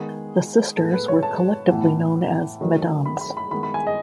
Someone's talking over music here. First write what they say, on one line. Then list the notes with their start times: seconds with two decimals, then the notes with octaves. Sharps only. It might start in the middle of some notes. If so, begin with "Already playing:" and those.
The sisters were collectively known as "Mesdames".
Already playing: D#3 G#3 B3 G#4
0.77 A2 G#3 B3 A4
0.93 B4
1.08 C#5
1.23 A5
1.68 A2 E3 B3
2.61 D#3 F#3 A3
3.06 B5
3.21 B5
3.37 B5
3.51 D#3 G#3 B3 B5
3.63 B5
3.74 G#5
3.87 D#5